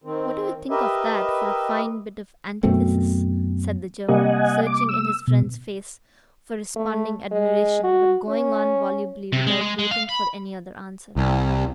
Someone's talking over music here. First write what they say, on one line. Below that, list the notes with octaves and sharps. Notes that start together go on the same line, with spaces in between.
"What do you think of that for a fine bit of antithesis?" said the German, searching in his friend's face for responding admiration, but going on volubly without waiting for any other answer.
D#3 C4
G4 A#4 B4 D#5 E5
F#2 B2 A3 C4
C3 G3 A#3 D#5 F#5 G#5
D6
E6
B2
A3
G#3
F#4
C#4
C3
G#3
G#3
G#3
F5
B5
C2